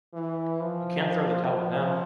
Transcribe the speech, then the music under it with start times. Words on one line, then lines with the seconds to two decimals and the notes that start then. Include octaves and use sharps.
You can’t throw the towel now!
0.14 E3
0.60 F3
1.52 F3